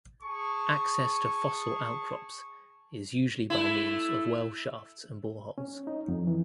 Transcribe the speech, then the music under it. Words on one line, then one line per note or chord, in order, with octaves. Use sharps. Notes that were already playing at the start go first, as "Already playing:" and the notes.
Access to fossil outcrops is usually by means of well shafts and boreholes.
G#4 A5 C#6
A3 E4
C#4
D#4
F2
E3